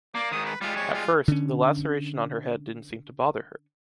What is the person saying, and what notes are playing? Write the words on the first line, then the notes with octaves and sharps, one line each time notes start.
At first, the laceration on her head didn’t seem to bother her.
A#3 D5
G#2 D#3 D#6
B4
G3 G#3 F4
C#5
F4
D3 C#4